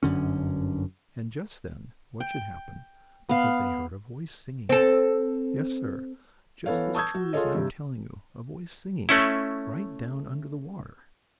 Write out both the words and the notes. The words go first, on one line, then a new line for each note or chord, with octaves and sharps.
And just then, what should happen, but that they heard a voice singing. Yes, sir, just as true as I'm telling you, a voice singing, right down under the water.
G1 F#2 D3 C#4
G5
B3 F5
C4 A4
E3 B3 A4 C#5 F5
A5 C#6 D#6 E6 G6 G#6
F#4
F4 G#4 A4 C#5 D#5
G2 C3
A3 C#4 E4